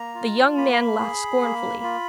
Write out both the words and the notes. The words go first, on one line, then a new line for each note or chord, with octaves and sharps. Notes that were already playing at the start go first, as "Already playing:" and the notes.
The young man laughed scornfully.
Already playing: A#3 A#5
F4
A#3 B5
G#4
A#3
F4